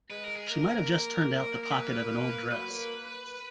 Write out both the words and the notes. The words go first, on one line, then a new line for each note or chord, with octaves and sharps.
She might have just turned out the pocket of an old dress.
G#3 B4
A#4
G#4
A#3 A#4
A#4
B4
F#3 B4
A#3